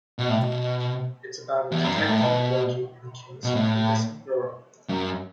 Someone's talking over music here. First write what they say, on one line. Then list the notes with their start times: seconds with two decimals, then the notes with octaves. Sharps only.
It's about a detective working on a case of a missing girl.
0.19 B2
0.29 A2
0.38 B2
1.72 E2
1.84 F#2
1.96 G#2
2.08 A2
2.21 B2
3.44 B2
3.55 A2
4.89 F#2